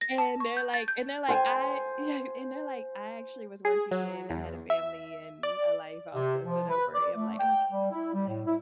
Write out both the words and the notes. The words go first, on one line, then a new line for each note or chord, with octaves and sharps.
and they're like and they're like, "I" yeah, and they're like, "I actually was working, and I had a family, and a life also, so don't worry." I'm like, "Okay, cool." I'm like, "Okay."
A#6
A5
C#6
G6
A6
G6
C5 G#5
G#4
F#3
E2
E5
D5
C3
F3
B4
D5
A3
G5
G3
E4
G3
A2
E4